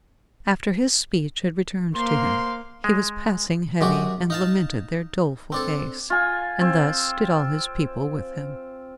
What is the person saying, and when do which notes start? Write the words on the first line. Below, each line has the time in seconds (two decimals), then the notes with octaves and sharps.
After his speech had returned to him, he was passing heavy, and lamented their doleful case, and thus did all his people with him.
1.95 A#3 C5 F5 C6
2.84 G#3
3.81 F#2 G#3 F#4 G4
4.30 D#4 F5 A5
5.52 C4 D4 A4
6.10 F4 G#5
6.61 C4